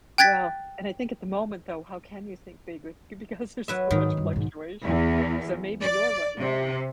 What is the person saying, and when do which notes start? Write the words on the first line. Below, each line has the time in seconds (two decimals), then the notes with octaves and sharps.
Well and I think at the moment, though, how can you think big, with because there's so much fluctuation, so maybe you're what yeah.
0.18 G5 F#6 G#6 A6 B6
3.68 F#3 B4 E5
3.91 G#2 D#3
4.17 G2
4.33 B1 G#2
4.85 E2
5.81 D5
6.39 C3